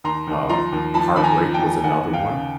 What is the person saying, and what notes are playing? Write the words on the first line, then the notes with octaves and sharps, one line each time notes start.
um, heartbreak was another one,
D#2 A#5 C6
D#2
F3 A#5 C6
D#2
F3 A5 B5
D#2 B5
G#5 A#5
F3
G5 A5
D#2
D#2 F#5 G#5
D#2
F5 G5
C#3